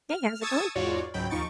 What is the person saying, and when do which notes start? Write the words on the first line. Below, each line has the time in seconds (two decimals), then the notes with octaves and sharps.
Hey, how's it going?
0.10 F6
0.41 A5 C#6 D#6 E6 G#6 A6
0.75 E2 G#2 F4 F#4 C#5 D5
1.14 C#2 G#2 F#3 G5 B5
1.30 D#2 F3 D#4 C#6 A6 D7